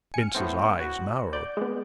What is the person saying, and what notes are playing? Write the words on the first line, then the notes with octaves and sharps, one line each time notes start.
Bince's eyes narrowed.
G#5 F6 C#7
A2 B3 C4
F#4
D5 G6
G#3 B3